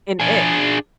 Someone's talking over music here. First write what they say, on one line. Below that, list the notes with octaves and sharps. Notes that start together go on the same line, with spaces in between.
And It.
D4 G#4